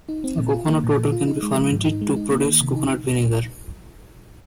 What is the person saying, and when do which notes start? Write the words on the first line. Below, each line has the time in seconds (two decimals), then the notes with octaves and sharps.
Coconut water can be fermented to produce coconut vinegar.
0.09 D#4
0.24 C4
0.38 A#2
0.53 F4
0.68 A#3
0.84 A#2
0.97 A#2
1.12 F4
1.28 D#4
1.43 G#3
1.57 F3
1.72 G#2
1.87 D#4
2.01 G#3
2.16 D#4
2.31 A#3
2.46 D#3
2.61 C3
2.76 D#4